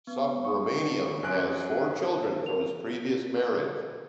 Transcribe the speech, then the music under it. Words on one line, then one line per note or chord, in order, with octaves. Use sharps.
Subramaniam has four children from his previous marriage.
B3
C#6
F#2 A#4 G#5 F#6 D7
A#4 F7